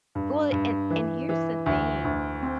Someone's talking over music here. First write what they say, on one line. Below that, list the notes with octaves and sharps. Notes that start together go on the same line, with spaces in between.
well, and and here's the thing,
G2
G2
E3
E3
D2
D2
C4